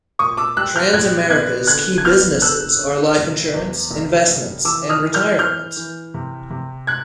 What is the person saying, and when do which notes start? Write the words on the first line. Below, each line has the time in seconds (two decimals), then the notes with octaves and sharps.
Transamerica's key businesses are life insurance, investments and retirement.
0.19 A#2 C#6 D#6
0.37 D6 E6
0.57 G3 E6 F#6
0.76 F6 G6
0.93 A#1 F#6 G#6
1.30 B3 F#6 G#6
1.67 D3 F#6 G#6
1.98 G#6
2.05 B3 F6 G6
2.42 D3 E6 F#6
2.79 D3
3.17 F1
3.54 E2
3.91 F1
4.28 F1
4.65 E3 D6 E6
4.89 D#6 F6
5.02 E3
5.14 F6 G6
5.39 E3 F6 G6
5.77 E3
6.14 C3
6.50 C3
6.87 F#6 G#6